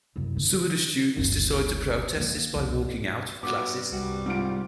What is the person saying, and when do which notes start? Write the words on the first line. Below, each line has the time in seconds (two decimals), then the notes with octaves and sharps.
Some of the students decide to protest this by walking-out of classes.
0.16 C2 F#2
0.37 D3
1.16 G1 D2
2.16 D#3 A#3
2.55 C2 F2
3.43 G2 B3 F#4 D6
3.92 C2 G3 F#4
4.26 G#2 C4 F4 D7